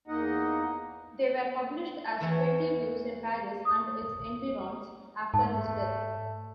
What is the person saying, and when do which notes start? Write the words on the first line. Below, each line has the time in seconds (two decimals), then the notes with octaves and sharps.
They were published as "Twenty Views in Paris and its Environs" after his death.
0.08 E2 A#3 D#4 D#5 F#5
2.21 E2 E3 E4 C#5
3.65 D#6
5.34 G#2 A3 A5